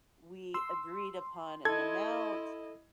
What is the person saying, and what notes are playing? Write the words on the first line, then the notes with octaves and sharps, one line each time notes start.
We agreed upon an amount.
C6 E6
E4 A4 D#5 G#6